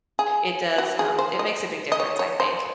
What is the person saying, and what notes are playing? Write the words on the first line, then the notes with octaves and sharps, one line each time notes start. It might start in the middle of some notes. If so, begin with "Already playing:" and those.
it does um, it makes a big difference, I think.
G#4
F#4
G#4
C5
D#5
D#5
C#5
C#5
C5